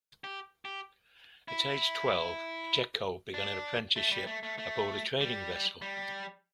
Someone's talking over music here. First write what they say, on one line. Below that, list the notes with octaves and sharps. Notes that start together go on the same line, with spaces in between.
At age twelve, Pacheco began an apprenticeship aboard a trading vessel.
G4
G4
E4
D4
A3
G3
A3
A3
A3
G3
G3